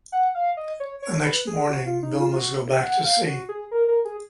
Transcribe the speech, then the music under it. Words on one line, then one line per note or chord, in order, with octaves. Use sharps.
The next morning Bill must go back to sea.
F#5
F5
D#5
C#5
C#5
B4
G#4
F#4
F4
D#4
F4
F4
F#4
F#5
F5
F#4
G#4
A#4
A#4
G#4